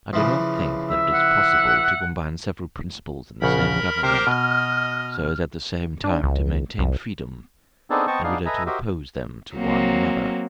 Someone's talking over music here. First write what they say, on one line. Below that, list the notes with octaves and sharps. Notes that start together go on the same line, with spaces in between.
I do not think that it is possible to combine several principles in the same government, so as at the same time to maintain freedom, and really to oppose them to one another.
C#3 E3 F3
E5
F#5
A#1 C#3 A#4 F#5 B5 F6
C3 G4 A#4 C5
B2 D#5
D4
C#2
C2
B3 C4 D4 D#4 G#4 A4
B3 C4 D#5 G5 A5 C#6
B3 D4 D#4 G#4 F5
A4 B4 D#5 E5 G#5 A#5
F#4 G4 A#4 C5 D#5 E5
F#3 A#3 C4